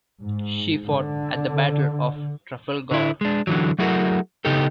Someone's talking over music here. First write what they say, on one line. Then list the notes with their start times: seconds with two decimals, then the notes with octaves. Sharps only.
She fought at the Battle of Trafalgar.
0.22 G#2
0.89 D3
2.91 D3 E4
3.21 G#3 D4
3.47 D3 E3 F#3
3.79 F#3 A3 E4 F#4 G#4 A#4
4.45 C#3 B3 D#4 G4 A4